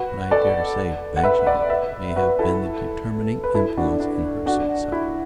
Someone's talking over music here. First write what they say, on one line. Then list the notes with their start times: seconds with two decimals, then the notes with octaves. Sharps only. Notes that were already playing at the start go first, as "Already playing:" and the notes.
But I dare say Bagshawe may have been the determining influence in her suicide.
Already playing: F#4 B4
0.31 A4 D5
1.17 F#5
1.23 B4 E5
1.46 D5 F#5
1.70 B4 E5
2.16 F#4 B4
2.39 E4 A4
3.44 B4
3.55 E4 A4
3.77 D4 F#4
4.00 D4
4.46 D4 F#4
4.92 E4